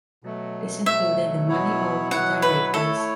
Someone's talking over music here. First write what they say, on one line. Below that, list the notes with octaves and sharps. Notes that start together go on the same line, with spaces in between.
This included the money owed to directors.
B2 F#3 A3
B2 F#3 A3 E5
B2 F#3 B3 E4 C#5
B2 F#3 B3 E4 C#5 F#5
B4
A3 E4 A4 C#5